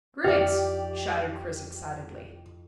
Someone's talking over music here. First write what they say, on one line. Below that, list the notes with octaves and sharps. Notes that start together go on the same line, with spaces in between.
"Griggs!" shouted Chris excitedly.
F2 D#4 E4 G4 D5 F6